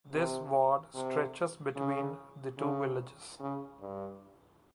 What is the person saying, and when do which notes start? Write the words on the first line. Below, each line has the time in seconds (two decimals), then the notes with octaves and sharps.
This ward stretches between the two villages.
0.13 C3
0.95 C3
1.76 C#3
2.58 C#3
3.40 C#3
3.80 G2